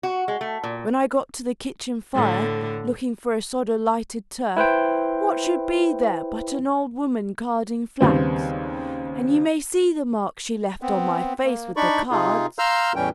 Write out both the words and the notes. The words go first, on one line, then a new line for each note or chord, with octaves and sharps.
When I got to the kitchen fire, looking for a sod of lighted turf, what should be there but an old woman carding flax, and you may see the marks she left on my face with the cards.
F#4
G#3
A3
A#2
A2 D3
E4 B4 C5 G5
D#2 C#3 G3 B3 C4
B3 C4
A#3
D4 D#4 D5 B5 C#6
C3 D#4 F4 G#4
F5 A#5 C6 E6 F6 G6
E2 A2 E3 G3 C#4 G5